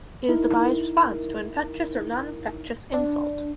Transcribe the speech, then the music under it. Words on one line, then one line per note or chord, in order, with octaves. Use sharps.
It is the body's response to an infectious or noninfectious insult.
D#4 E4 A#4
D4